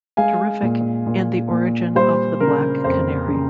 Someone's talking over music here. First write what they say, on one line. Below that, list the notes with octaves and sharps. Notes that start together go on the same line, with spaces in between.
Terrific, and the origin of the Black Canary.
G#3 F5 G#5
A#2
A#2
A#2
G3 C5
C#3 A#4
F2 C5
C#3